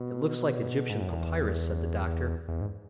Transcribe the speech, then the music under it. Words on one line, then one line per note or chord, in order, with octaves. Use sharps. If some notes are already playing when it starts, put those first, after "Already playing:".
"It looks like Egyptian papyrus," said the doctor.
Already playing: B2
G#2
F#2
E2
E2
G#2